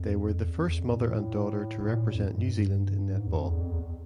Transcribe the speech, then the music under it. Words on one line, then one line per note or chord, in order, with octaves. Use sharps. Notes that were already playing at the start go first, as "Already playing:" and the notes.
They were the first mother and daughter to represent New Zealand in netball.
Already playing: F2
E2
F2
E2
F2
A#2
A2
A2
A#2
A2
F2
F#2
G2
G#2
E2
F2
E2
F2
E2